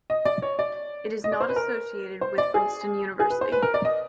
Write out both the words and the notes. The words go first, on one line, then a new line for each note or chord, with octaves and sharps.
It is not associated with Princeton University.
D#5
D5
C#5
D5
D#5
D5
C5
B4
A#4
C5
D5
G#4
G#4
B4
C5
B4
A#4
D5
D#5